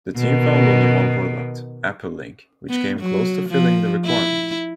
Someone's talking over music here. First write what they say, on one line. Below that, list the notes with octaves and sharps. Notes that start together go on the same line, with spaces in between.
The team found only one product, AppleLink, which came close to filling the requirements.
B2 D#3
B3
F#3
F3
E4